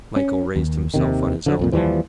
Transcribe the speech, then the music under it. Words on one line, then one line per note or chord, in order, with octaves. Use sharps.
Michael raised himself on his elbow.
C#4
D#2
D#2 C3 D#3
D3 E3 F#3
B1 F2 A#2
D#2 E3 F3 G3